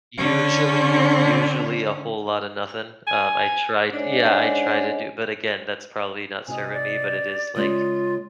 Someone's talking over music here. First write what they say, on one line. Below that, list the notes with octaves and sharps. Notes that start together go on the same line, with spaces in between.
Usually, usually a whole lotta nothing. Um, I tried yeah, I tried to do but, again, that's probably not serving me, but it is like
D3 C#4
G#5
G#2 G#3 C#4 D4
C3 F#4 D#5 G#5
D5
C#3 G#3 F4